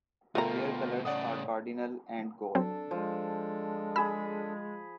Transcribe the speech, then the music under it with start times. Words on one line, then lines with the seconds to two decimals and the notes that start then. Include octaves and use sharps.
Their colors are cardinal and gold.
0.35 D2 B2 A3 F4 A#4 G5 A#5
1.05 A2 C#3 D5 F#5 D#6
2.55 F#3 C4 D4 A4
2.91 F3 G#3
3.96 G#4 B5 E6